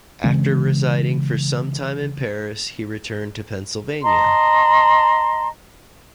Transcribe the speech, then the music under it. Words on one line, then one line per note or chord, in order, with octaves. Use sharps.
After residing for some time in Paris, he returned to Pennsylvania.
C#3 E3 G#3 C4
D#5 A5 A#5 C6